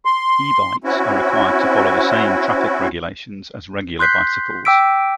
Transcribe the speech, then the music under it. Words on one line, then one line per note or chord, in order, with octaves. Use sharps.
E-bikes are required to follow the same traffic regulations as regular bicycles.
C6
C4 C#4 E4 F#4
C6 F#6 G6 B6 C7
G5 D6 E6 B6 D7